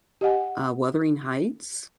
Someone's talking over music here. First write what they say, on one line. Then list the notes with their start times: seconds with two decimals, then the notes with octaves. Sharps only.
uh, Wuthering Heights.
0.21 G4 D#5 F#5 G#5